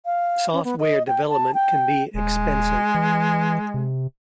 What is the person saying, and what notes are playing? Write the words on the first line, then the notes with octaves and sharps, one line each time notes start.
Software development can be expensive.
F5
C#4
B3
D#5
G5
A5
G5
D#1 G#3
E3
C3